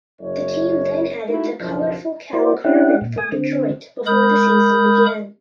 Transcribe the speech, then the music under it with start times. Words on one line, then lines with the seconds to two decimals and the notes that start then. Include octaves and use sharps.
The team then added the colorful Cal Carmen from Detroit before the season began.
0.21 F#1 C#5
1.29 A3 D#4 E4 F#4
1.60 F#1 B1 F3
2.33 A#3 E4 F#4 C5 D5
2.64 C#4 D4 E4 G4 F#5
3.01 A#2
3.18 G#5 D#6
3.32 D3 C4
4.07 G#3 A#4 B5 D#6 G6